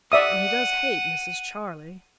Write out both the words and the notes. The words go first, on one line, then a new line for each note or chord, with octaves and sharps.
And he does hate Mrs. Charley.
D5 E5 F#5 D#6 D#7